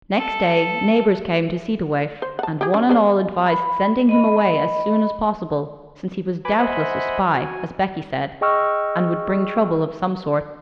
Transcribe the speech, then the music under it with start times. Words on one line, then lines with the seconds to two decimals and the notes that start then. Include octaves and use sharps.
Next day, neighbors came to see the waif, and one and all advised sending him away as soon as possible, since he was doubtless a spy, as Becky said, and would bring trouble of some sort.
0.18 A4
2.22 C5
2.39 F#5 A5
2.61 G4 G#4
2.74 C#4 D4
2.89 G#3 D4 C5
3.45 B5
4.09 D#5 B5
6.45 B4 G#5 B5 D6
6.59 C5 D#5 E5 F#5 G#5 B5
7.34 F#4 G#5
8.41 G#4 D#5 G5 C#6 E6 F6